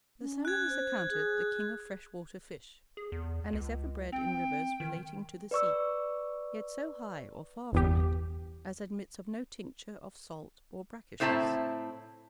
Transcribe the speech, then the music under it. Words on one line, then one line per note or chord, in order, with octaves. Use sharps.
The Salmon is accounted the King of freshwater fish; and is ever bred in rivers relating to the sea, yet so high, or far from it, as admits of no tincture of salt, or brackishness.
C#4
F#6 G#6
C5
G#4
G#4
E2
C#2
C4 G5
D#3
B4 D5 C#6 E6
G1 E2 G4
A2 C4 E4 B4 A5 A#5